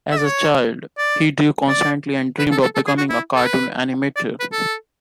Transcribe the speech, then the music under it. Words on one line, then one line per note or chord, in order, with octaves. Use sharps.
As a child, he drew constantly and dreamed of becoming a cartoon animator.
E5
D5
C#5
D5
D5
B4
A4
A4
A4
G#4
F#4
E4
A4
B4
D5
B4
A4